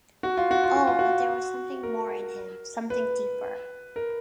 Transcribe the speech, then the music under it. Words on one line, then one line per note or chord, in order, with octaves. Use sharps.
Oh, but there was something more in him, something deeper!
F#4
F4
F#4
F4
F#4
F4
F#4
A#4
B4
A#4